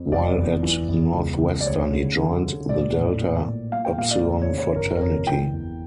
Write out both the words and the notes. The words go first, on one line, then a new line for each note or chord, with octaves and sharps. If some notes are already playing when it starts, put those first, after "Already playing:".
While at Northwestern he joined the Delta Upsilon fraternity.
Already playing: F2
F1 D5
E2
E3
E2
C#2
C#3
D5
D2 C#5
C#3
D3
D3
A#1 D5
A2
A#2
A#2
A#2 F5
G5
A#2 F5
D5
D2 D5
C#5
C#3
C#5
G1 A#4
A#4
F2 C#5
E3 G5
E2